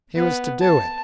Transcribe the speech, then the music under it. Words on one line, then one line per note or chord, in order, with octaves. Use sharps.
He was to do it.
B3
A5